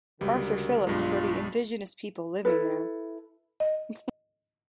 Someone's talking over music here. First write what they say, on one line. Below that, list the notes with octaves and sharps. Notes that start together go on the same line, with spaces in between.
Arthur Phillip for the indigenous people living there.
C#2 D3 G3 F#4 A#4
B1 G2 G#3 F4
E4 A4 B4
D#5